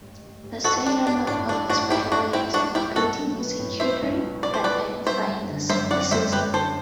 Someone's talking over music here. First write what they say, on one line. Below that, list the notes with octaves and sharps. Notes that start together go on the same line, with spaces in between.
The Center not only specializes in locating missing children, but identifying the deceased.
A1
A1
A1
A1 F#4 A4
A1 D4
A1 D4
A2 D4
A1 D4
A2 D4 F#4
A1 E4 G4
A1 D4 F#4
A2 C4 E4
B1 D4 F#4
B1 E4 G4
B1 F#4 A4
F#3
B3
A2
B3 C5 E5
B1
F#3
B3 D5
C5
B3 B4 D5
F#3
G3 C5 E5
F#2
D3
F#2 C5 E5
C4 D5 F#5
F#2 C5 E5
F#2 G4 B4
D3 A4 C5